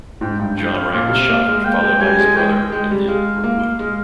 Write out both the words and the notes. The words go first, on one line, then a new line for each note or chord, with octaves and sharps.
John Wright was shot, followed by his brother, and then Rookwood.
G#2 G5
G2 G5
G2 G5
F5
A#2 F5
C3
A#3
G#3
A#3 G5
G#3
G3 G#5
G#3
G#3 G5
G#3
G#3
G3
G#3 F5
A#3
G#3